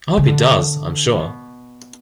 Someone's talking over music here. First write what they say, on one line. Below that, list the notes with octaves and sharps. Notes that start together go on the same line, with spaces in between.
I hope he does, I am sure.
C#3
D3
B2